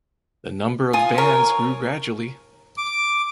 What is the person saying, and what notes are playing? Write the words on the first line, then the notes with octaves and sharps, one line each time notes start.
The number of bands grew gradually.
F4 G#5 D#6
A#4 C#5
D6